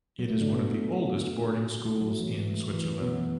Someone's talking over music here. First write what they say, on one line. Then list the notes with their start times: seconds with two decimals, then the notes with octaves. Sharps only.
It is one of the oldest boarding schools in Switzerland.
0.19 F#3
0.30 A3
0.41 D3 D4
0.52 B2 B3
1.85 A3
2.01 F#3
2.19 E3
2.73 E3
2.85 F#3
3.02 B2 B3
3.18 E3